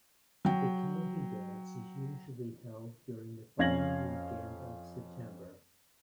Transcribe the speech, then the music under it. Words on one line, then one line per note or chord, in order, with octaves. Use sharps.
The Candy Dance is usually held during the final weekend of September.
F#3 G5
F2 C#4 F5 G#6 A#6 F#7